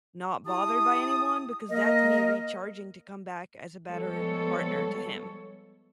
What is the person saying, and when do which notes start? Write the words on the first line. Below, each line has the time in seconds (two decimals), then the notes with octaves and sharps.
not bothered by anyone because that's me recharging to come back as a better partner to him.
0.47 E4 G4 A5 D#6
1.70 A#3 A#4 D#5
3.89 F3 G3 G#3 B3 A4 C#5